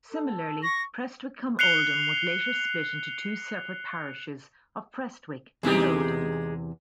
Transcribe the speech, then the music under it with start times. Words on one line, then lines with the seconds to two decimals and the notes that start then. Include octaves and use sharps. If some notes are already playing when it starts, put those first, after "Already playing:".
Similarly, Prestwich-cum-Oldham was later split into two separate parishes of Prestwich and Oldham.
0.12 A4
0.63 C#6 A#6
1.59 F#6 C7 C#7 F7 G7
5.63 E2 C3 E3 G#3 D#4 G4